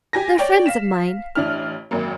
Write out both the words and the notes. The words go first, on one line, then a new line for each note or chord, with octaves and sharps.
They're friends of mine.
G4 G#5 A#6
C#5 D5 G5
F5 B6 E7
A1 D4 E4 F6
G#1 F#2 A#3